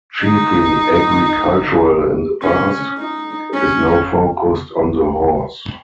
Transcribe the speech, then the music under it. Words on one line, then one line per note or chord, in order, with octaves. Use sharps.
Chiefly agricultural in the past, it is now focused on the horse.
D#4
C#4
D#4
C#4